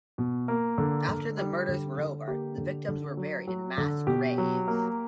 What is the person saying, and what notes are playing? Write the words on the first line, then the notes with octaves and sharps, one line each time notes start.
After the murders were over the victims were buried in mass graves.
B2
A#3
D3
D3
G3
D3
D3
A#3 G4
D3
D3
F#3
F#3
D3
B2 G4
F#3
A#3